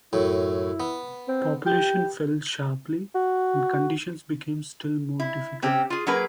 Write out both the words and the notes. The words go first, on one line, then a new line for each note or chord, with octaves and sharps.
Population fell sharply and conditions became still more difficult.
F#2 A2 E4
B3
C4
G4
F#4
E4
C3 C4 C#4 G4
F4 G#4
F#3 A#3 G#4 A#4 B4 A#5